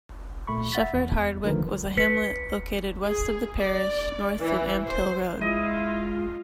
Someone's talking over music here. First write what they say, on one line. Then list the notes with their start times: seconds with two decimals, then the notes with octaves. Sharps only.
Shefford Hardwick was a hamlet located west of the parish, north of Ampthill Road.
0.47 A#2 A3 B5 C#6
0.72 E5 F#5 A6 B6
0.93 E2
1.44 D3 D#3 F3 A3 A#4 B4
1.97 B4 B6 C#7
3.03 G#4
3.58 D5
4.39 E3
4.87 C5
5.41 G#3 E4 F4 D#5